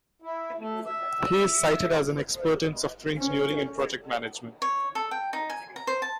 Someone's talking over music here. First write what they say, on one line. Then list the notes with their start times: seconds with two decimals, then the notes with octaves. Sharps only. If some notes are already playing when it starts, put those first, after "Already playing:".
He is cited as an expert in software engineering and project management.
0.22 E4
0.58 A3
0.86 E5
3.18 C#4
4.62 C#5
4.95 A4
5.11 G5
5.33 D#4
5.50 G#5
5.76 A#5
5.87 C5
6.02 A5